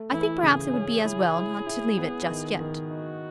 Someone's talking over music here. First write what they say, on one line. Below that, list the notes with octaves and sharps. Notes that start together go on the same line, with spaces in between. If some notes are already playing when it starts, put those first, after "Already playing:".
I think perhaps it would be as well not to leave it just yet.'
Already playing: A3
E3 E4
C#3 G#4
C#4
E4
E4
E4
B3
D#3
D#3
D#4 F#4